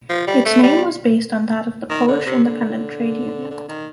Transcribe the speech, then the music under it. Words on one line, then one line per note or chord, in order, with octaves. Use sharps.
Its name was based on that of the Polish independent trade union.
F3
G3
A3
G3
D#3
D3
C3
D3
D3
D#3